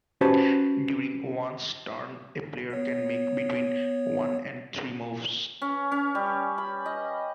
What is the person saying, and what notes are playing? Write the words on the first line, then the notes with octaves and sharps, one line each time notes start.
During one's turn, a player can make between one and three moves.
C#4 F#4 G4 B4 C5 A5
B3 C#5
C#4
C#4
G3
B5
D#5